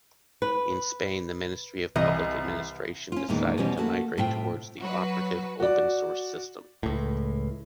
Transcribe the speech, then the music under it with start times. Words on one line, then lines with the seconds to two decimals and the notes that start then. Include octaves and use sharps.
In Spain the Ministry of Public Administration decided to migrate towards an operative open source system.
0.42 B4
1.96 C2 E3 D#5
3.12 C#4 F4
3.28 E2 A#2 D#3 E3 G#3
3.57 B2 E3 F3 G3 C#4
3.77 A3 A#3 F#4 A4
4.18 A2 C3 E4 F4 G5
4.79 F#3 F#4 B4
5.60 F#4 D5
6.83 C#2 A2